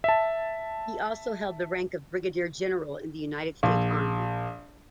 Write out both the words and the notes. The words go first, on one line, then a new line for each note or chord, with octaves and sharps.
He also held the rank of Brigadier General in the United States Army.
E5 A5
A#1